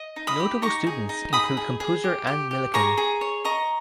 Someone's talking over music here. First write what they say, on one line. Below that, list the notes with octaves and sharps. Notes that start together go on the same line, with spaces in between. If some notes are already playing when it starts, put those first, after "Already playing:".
Notable students include composer Ann Millikan.
Already playing: D#5
D#4
B5 D#6
G4
D#4 A#5 C#6
G#4
D#4
G#4 B5 D#6
G#4
G#4
G4
G4
G4
G#4 A#5 C#6
G#4
C#5
D#5 A#5 C#6